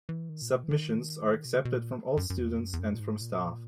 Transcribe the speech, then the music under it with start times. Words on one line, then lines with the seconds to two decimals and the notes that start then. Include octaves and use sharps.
Submissions are accepted from all students and from staff.
0.09 E3
0.29 D#3
0.42 A#2
0.50 B2
0.63 E3
0.71 D#3
1.45 B2
1.55 C#3
1.65 B2
1.75 A#2
2.17 F#2
2.30 F#2
2.38 E2
2.59 F#2
2.73 E2
2.79 F#2
2.95 A#2
3.00 G#2
3.21 A#2